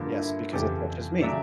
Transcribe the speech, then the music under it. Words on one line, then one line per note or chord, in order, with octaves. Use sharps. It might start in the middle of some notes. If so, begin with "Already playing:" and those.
Yes, because it touches me.
Already playing: G2 D3 F3 A#3
E4
F2 C#3 E3 G4 A4
C#3 F#3 A3 D5 E5